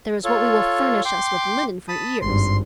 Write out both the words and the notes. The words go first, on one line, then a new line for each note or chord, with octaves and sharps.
There is what will furnish us with linen for years.
F4 A4 C#5
G5 C6 D6
A5 B5 D#6
G#1 G2 C6